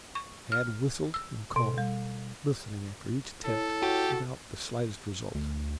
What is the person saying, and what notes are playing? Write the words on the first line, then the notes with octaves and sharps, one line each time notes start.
Tad whistled and called, listening after each attempt without the slightest result.
C#6
F6
E6
B2
G3
E4 A4 C#5
F#4 G4
D2